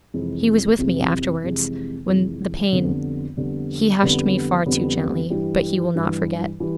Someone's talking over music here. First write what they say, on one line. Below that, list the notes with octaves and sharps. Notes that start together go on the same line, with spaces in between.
He was with me afterwards, when the pain--He hushed me far too gently, but he will not forget.
F2 C3 E3 G#3
F2 C3 E3 G#3
F2 C3 E3 G#3
F2 C3 E3 G#3
F2 D3 G3 B3
F2 D3 G3 B3
F2 D3 G3 B3
F2 D3 G3 B3
G2 E3 G3
G2 E3 G3
E3 G3